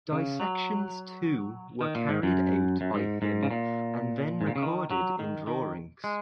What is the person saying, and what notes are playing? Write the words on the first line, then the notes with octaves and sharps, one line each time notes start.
Dissections too were carried out by him and then recorded in drawings.
C#3
F#3
D#3
A#2
G#2
F#2
F#2
G#2
G#2
C#3
A#2
G#2
A#2
C#3
D#3
F#3
D#3
D#3
G#3